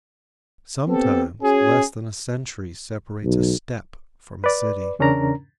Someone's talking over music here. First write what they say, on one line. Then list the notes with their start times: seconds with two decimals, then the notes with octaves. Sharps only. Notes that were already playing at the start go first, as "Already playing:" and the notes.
Sometimes less than a century separates a steppe from a city.
0.88 B3 C4 G4 A4
1.41 C#4 F#4 G#4
3.24 B1
4.44 B4 D5
4.99 E2 C#3 C#4 D4 A#4 A#5